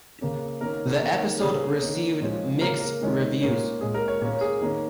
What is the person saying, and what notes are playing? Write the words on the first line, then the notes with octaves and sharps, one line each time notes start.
The episode received mixed reviews.
C#3 A#3 C#4
D#3 A#3 C#4 A#4
D#3 A#3 C#4
C#3 A#3 C#4 G#4
D#3 A#3 C#4
A#2 F3 G#3 C#4
C#3 A#3 C#4 A#4
A#4
D#3 G#3 C#4
A#2 A#3 C#4
A#2 G#3 C#4 G#4
A#4
C#5
A#2 A#3 C#4 C#5
G#4
D#3 A#3 C#4